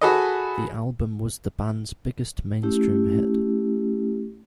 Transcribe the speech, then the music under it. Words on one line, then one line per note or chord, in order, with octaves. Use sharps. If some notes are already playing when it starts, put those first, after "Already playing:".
The album was the band's biggest mainstream hit.
F#4 G#4 A4 B4 D#5
A3 C#4 E4 G4